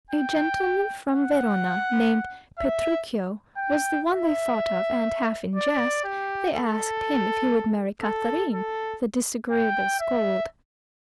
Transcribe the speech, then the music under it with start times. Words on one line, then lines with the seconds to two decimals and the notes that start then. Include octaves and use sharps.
A gentleman from Verona, named Petruchio, was the one they thought of, and, half in jest, they asked him if he would marry Katharine, the disagreeable scold.
0.10 G5
1.09 F#5
2.59 E5
3.57 G5
4.07 E5
5.55 D5
6.04 G4
6.54 A4
8.02 A4
8.51 A4
9.51 G5
10.00 E5